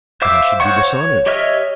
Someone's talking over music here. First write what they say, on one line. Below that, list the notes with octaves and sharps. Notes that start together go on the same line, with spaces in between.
"But I should be dishonoured."
C5 E5 F5 D6 E6
F#4 C5 C#5 F#5 C#6
C#5
G4 C#5 D#5 E5 F6